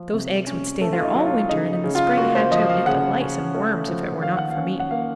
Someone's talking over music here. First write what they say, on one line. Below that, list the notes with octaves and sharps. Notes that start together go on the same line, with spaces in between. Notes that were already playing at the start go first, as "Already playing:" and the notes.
Those eggs would stay there all winter and in the spring hatch out into lice and worms if it were not for me.
Already playing: F3
C3
C#4
A3 A4
F4
D#4
F#3
F4
C#3 D#4
D#4
C#3
F4
A#3 F#4
C5
F3 D#5
F5
C#3 F#5
C#4
A3
F3
D#3 F5
F#5
F5
C#4
F#5
A#3 F5